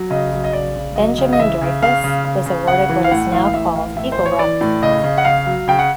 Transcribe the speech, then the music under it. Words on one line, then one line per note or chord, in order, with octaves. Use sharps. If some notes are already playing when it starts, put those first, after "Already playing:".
Benjamin Dreyfus was awarded what is now called Eagle Rock.
Already playing: F#3
C#3 D#5
F#3
D#5
C#3 D5
C#3
F#3 D#5
C#3
D#5
E3 E5
C#3
C#3 F5
C#3
C#3
C#3
C#3 F#5
E3
F5
A2 F#5
E3 F5
F5
A2 E5
E3 F5
A2 E5
C5
E3
C#5
E3 D5
A2
C#3 D#5
C#3
F#5
C#3 F5
F#3
C#3 G5
F#5